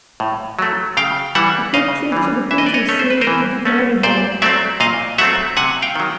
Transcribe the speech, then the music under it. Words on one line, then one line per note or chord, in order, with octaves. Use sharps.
A quick trip to the printer saved the Bacardi Bowl.
A2
F#3 A3
C#3 F5 G5
E3 G3 E5 F#5
C#3 D#5 F5
E3 G3
E3 E5
D#5
D5
C#5 D#5
A3 C#4 C#5
C5
B4
A#4 C5
E3
A3 C#4
A#2 C5 D5
F#3 A3 C4 D5 E5
A#2 D#5 F5
F#3 A3 C4 E5 F#5
C3 F#5 G#5
F5 G5
D#3 F#3